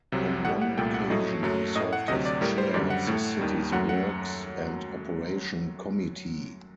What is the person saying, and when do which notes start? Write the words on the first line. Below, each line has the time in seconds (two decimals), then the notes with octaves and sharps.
On one occasion, he served as Chair of the city's Works and Operation Committee.
0.12 C2 C3 F#3
0.45 A2 G3 F#5
0.62 F#5
0.77 C2 A#2 A3 G5
0.94 F#5
1.10 A2 F#3 A3 D#5
1.43 F#2 F#3 A3
1.75 A2 A3 D#5
1.93 F#5
2.08 D2 C3 F#3 D#5
2.26 D5
2.41 A2 G3 A#4
2.58 C5
2.74 F#2 D3 G3 D5
2.90 F#5
3.07 A2 A3
3.39 D#2 D#3 G3
3.72 F#2 F#3 A3 F#5
3.89 F#5